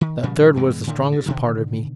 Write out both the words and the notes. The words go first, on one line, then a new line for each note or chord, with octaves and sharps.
That third was the strongest part of me.
D#3
A#2 C#3 F3 G3
G2 B2 E3 G#3
A2 D3 D#3
G2
B2 D3 D#3